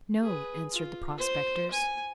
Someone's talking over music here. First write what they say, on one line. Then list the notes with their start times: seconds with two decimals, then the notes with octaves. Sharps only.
'No,' answered the prospectors.
0.21 G#4 B4
0.73 F4
1.18 C5
1.71 G#5